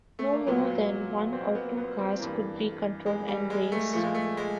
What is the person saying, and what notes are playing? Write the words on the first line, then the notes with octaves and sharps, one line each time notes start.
No more than one or two cars could be controlled and raced.
A3
A#3
A#2 F#3 B3
C4
B3
B3
C4
G2 E3 A#3
G#3
G3
G#3
A3
A#2 F3 A3
G#3
A3
G#3